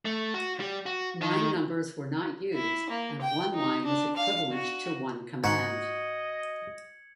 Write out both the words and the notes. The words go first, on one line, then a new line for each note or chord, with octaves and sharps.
Line numbers were not used and one line was equivalent to one command.
A3
F#4
G3
F#4
D#3
E4
A#3
G5
D#4
D4
F5
F#4
G#2 F#4 D#5 G#6 C#7 F#7